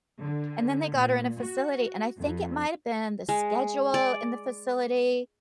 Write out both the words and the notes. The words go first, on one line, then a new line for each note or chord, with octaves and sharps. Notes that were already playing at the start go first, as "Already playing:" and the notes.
and then they got her in a facility, and I think it might’ve been the schedule in the facility,
D3
A#2
F#4
F2
G#3
D5